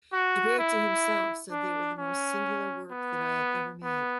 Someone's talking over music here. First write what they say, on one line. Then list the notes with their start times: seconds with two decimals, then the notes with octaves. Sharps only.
Ghiberti himself said they were "the most singular work that I have ever made".
0.13 F#4
0.58 E4
1.51 D4
1.98 C#4
2.91 B3
3.83 B3